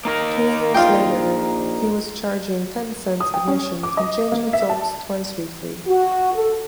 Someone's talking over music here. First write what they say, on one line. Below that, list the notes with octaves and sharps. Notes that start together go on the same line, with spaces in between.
Two-years later, he was charging ten-cents admission and changing films twice weekly.
A#3 D#4 A#4
A#1 F4 G5
D#6
G5
C#4
D6
D#5
A#3
E5
A5
F#4
A4